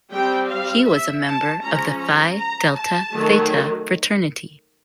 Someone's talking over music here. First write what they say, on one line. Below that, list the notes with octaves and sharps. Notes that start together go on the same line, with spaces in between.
He was a member of the Phi Delta Theta Fraternity.
G3 C4 G5
F5
E5
A5
F3 G#3 C#4 A#5
A#5
A#5
A5
D#3 F#3 A3